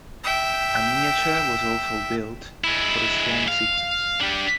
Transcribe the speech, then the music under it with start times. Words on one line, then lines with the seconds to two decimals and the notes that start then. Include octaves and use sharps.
A miniature was also built for the storm sequence.
0.24 E5 G5
2.64 G#3 E4
3.48 F5
4.21 D4 G4